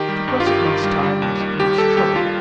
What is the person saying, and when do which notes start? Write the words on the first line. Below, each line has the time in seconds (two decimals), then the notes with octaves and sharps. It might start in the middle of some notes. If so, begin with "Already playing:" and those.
To cross it needs time and needs trouble.
Already playing: D#3 G4
0.09 G3
0.28 G2
0.40 F4
0.46 G1 G4
0.66 D#3
0.84 G3
1.03 G3
1.22 D#2
1.41 D#3
1.60 D#2 G4
1.78 G3 A4
1.97 D#2 G4
2.16 G3 F4